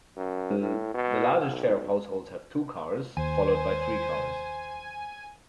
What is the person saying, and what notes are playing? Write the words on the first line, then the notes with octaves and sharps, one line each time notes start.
The largest share of households have two cars, followed by three cars.
F#2
A2
B2
B1
D#2 C5 G#5